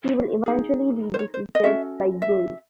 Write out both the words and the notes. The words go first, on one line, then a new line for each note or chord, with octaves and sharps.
He will eventually be defeated by Gil.
D#4 G#4
C5
C#5
C5
D#5
C#4 F#4 A4 E5
E5